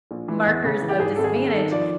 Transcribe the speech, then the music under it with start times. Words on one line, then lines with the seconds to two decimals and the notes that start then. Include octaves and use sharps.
markers of disadvantage,
0.11 A#1
0.28 E3
0.46 E2
0.64 C#3
0.82 E3
0.89 G4
1.00 G#2 G#4
1.16 G#1 A4
1.24 G#4
1.36 G#1
1.48 A4
1.54 D#3
1.72 F3 D5